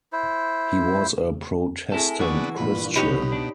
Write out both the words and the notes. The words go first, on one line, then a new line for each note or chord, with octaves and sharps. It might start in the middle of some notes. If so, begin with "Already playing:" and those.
He was a Protestant Christian.
E4 C5
C4 E4 G#4 A4 G#5
E3 B3 D4 F#4
G2 A#2 F3 B4
B2 D#4 G4 C#5 B5
D4